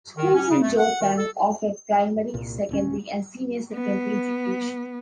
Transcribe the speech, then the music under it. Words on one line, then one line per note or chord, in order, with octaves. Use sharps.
Schools in Jorethang offer primary, secondary and senior secondary education.
D#3
C#4
C#3
A3
F#5
D#3
A4
C2 A#2
D#1 D2 C#4
B3